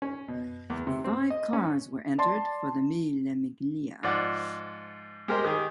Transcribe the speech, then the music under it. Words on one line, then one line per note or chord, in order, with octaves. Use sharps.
Five cars were entered for the Mille Miglia.
C#4
B2
E2
C3
C4
D#5
C#4
D5 A5 C6
G#2 F3 D5 F#5
G#3 G4 A#4 C5 D#5
D#3 G4 G#4